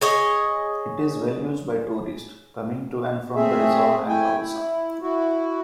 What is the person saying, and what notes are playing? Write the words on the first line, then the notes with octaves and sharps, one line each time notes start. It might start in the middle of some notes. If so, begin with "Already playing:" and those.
It is well used by tourists coming to and from the resort at Arosa.
G#4 C#5 D#5
A3 C4 G#4 E5
A3 E4 G5 G#5
E4
E4 F#4